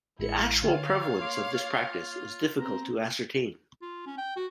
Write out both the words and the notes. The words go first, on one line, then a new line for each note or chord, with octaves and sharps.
The actual prevalence of this practice is difficult to ascertain.
A1 G#3 E4 C#7
D3 F4 C#5 F5
A#3 C6 D6 C7
F4
B3 C4 A#5
F4
C#4
G5
F#4